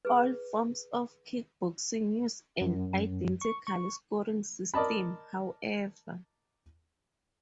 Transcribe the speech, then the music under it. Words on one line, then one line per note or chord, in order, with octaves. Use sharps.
All forms of kickboxing use an identical scoring system, however.
G#4 B4
F#2
C#6
C#6
A#4 D5 D#5 A5 B5